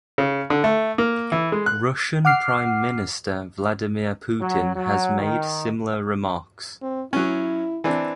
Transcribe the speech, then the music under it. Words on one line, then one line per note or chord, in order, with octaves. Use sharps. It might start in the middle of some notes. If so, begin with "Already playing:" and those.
Russian Prime Minister Vladimir Putin has made similar remarks.
C#3
D3
A3
A#3
E3
G#3
F#6
F#5 D6 F6 C7
F#3
F#3
D#3
C4
F#3 C#4 E4
E3 C4 D4